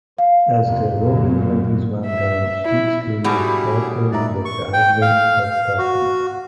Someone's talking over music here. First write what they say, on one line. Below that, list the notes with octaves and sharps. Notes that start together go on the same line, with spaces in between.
As the Roaring Twenties wound down, Sweet's career faltered with the advent of talkies.
F5
F2 C3
C#2 F#2 A#2
E5
E4
B2 D3 G3 E4 F#4 G#4
G#2 F#3 D5 E5 A#5
C#6
G5
F5
F5
F#4